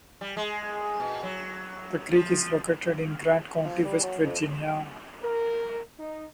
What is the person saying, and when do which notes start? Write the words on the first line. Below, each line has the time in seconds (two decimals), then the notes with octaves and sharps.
The creek is located in Grant County, West Virginia.
0.21 G3
0.37 G#3
1.00 B2
1.23 F#3
2.13 F3
3.65 F3
3.84 G3
4.03 F#3
4.25 F2
5.22 A#4
5.99 D#4